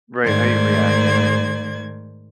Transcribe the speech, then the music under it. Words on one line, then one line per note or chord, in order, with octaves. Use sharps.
Right, how you react?
G#2 D#3 A3 C5 D5 G#6